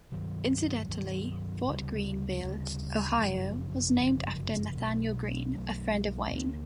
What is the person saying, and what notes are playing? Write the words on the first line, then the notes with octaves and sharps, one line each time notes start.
Incidentally, Fort Greene Ville, Ohio, was named after Nathaniel Greene, a friend of Wayne.
G2 D#3 F#3
G2 D#3 F#3
D2 C#3 E3 G3
D2 C#3 E3 G3
G1 F#2 C#3 F3
G1 F#2 C#3 F3
B1 B2 F#3 A3
B1 B2 F#3 A3
D2 D3 F3 A#3